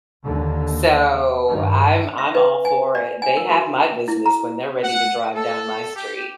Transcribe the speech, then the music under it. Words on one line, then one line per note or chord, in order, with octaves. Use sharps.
So I'm I'm all for it. They have my business when they're ready to drive down my street.
D#2 D3
G2 D#3
E5
B4
G#5
D5
G#5
A#4
F#4
E4
A#5
F#5
A4
G4